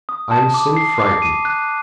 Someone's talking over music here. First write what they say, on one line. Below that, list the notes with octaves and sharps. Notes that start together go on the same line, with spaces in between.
I am so frightened.
D#6
A5
D6
C7
D6
D#7
F#6